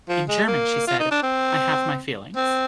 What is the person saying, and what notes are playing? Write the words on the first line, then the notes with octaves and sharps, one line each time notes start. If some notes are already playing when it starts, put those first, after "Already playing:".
In German she said: 'I have my feelings'.
F3
G#3
A#3
F4
D#4
D4
C4
C4